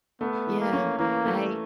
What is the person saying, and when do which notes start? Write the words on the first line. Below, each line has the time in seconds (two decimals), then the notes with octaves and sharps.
Yeah, I
0.20 A3 B3
0.47 E3
0.60 A#3
0.73 C#4
0.99 E3 A#3
1.26 A3